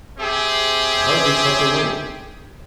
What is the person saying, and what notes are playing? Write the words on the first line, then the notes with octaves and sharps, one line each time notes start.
"I hardly slept a wink."
C4 G4 G#4 E5